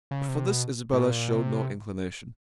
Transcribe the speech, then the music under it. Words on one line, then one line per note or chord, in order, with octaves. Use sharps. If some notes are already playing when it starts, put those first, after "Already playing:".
But for this Isabella showed no inclination.
C#3
C3
B2
A2
A#2
B2
C3